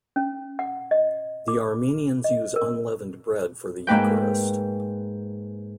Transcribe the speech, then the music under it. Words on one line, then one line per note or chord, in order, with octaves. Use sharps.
The Armenians use unleavened bread for the Eucharist.
C#4
F#5
D#5
D6
D#5
A#4
G#2 A#3 B4 G5